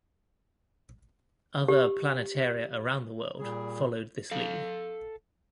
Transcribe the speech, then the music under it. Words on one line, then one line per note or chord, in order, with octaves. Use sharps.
Other planetaria around the world followed this lead.
G4
A#2 G3 G#4
A4 F5